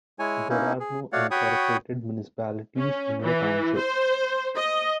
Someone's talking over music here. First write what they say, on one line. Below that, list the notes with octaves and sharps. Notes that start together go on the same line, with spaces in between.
There are no incorporated municipalities in the township.
G#3 E4 C#5 G#5
A#3 C#4 D#4 E4
G#4
A3 F#4 C#5 D5 F5 F#5
F#4 C#5 G5 B5 C#6 D#6
C#4
E3
C5
D#5